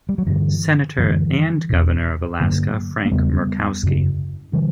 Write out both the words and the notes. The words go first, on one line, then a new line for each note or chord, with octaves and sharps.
Senator and Governor of Alaska Frank Murkowski.
G3
F#3
G2 D3 E3
F#2 D3 E3 G3
E2 B2
G2 D3 F#3 A#3
A#3
E2 C#3 G3 B3
F#2 C#3
D3 E3 G3